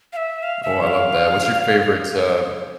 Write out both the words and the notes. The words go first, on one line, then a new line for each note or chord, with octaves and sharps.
Oh, I love that. What's your favorite, uh,
F5
E5
F5
E5
F5